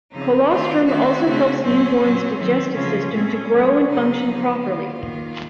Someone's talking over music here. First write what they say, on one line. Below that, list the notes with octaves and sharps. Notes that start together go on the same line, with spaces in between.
Colostrum also helps the newborn's digestive system to grow and function properly.
C#3 F3 C4 D#4
D#3 A3 C4 F4
D#3 A3 C4 F#4
C#3 A3 C4
A#2 F#3 C4 C#4
A#2 F#3 C4
D#3 F#3 C4
C#3 F3 A3 C#4
A#2 A3 C4
A#2 F#3 A3
C#3 F#3 A3 C4 D#4
C#3 F3 A#3
D#3 A#3 F4
D#3 A#3